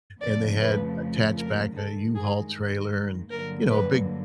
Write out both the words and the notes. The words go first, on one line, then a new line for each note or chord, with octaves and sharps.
and they had attached back an U-Haul trailer and, you know, a big
F2 C#3 F3 A3 D5
B4
A#4
G2 D#3 G#3 A4
G#4
G2 D3 F#3 A#3 A#4
B4